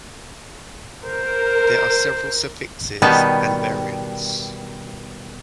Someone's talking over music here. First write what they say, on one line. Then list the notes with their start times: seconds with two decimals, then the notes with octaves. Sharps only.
There are several suffixes and variants.
1.04 A#4 C5
3.02 B2 D#3 G3 B3